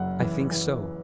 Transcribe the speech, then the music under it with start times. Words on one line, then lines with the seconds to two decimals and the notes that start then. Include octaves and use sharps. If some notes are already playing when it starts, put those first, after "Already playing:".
"I think so."
Already playing: F#1 F#2 F#5
0.20 E3
0.51 E3